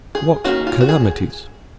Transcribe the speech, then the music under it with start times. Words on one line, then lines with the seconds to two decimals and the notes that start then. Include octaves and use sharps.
What calamities?
0.15 G#4
0.44 D#3 A#3 C#4 F#4
0.67 F4
0.81 F#4
0.89 G#4